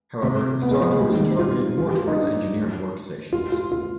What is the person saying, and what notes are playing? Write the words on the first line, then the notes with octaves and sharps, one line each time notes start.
However, the software was targeted more towards engineering workstations.
C3
B3
G#3
F3
G#3
G3
D#3
G3
C4
F4
F4
G4
F4
D#4
D4
F4
F4
F4